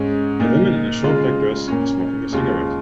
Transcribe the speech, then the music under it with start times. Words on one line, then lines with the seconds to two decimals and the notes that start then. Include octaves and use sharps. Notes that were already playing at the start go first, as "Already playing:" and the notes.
A woman in a short black dress smoking a cigarette.
Already playing: G#2 G#3 C#4
0.40 A#2 A#3 D#4
1.03 C#3 G#3 F4
1.68 A#2 A#3 C#4
2.32 D#2 C#3 G#3 F4